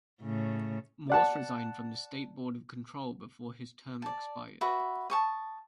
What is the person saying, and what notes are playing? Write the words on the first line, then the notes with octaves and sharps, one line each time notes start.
Morse resigned from the State Board of Control before his term expired.
A2 C#3
D5 F#5 A5
D5 A5
F#4 B4 E5
A5 C#6 D#6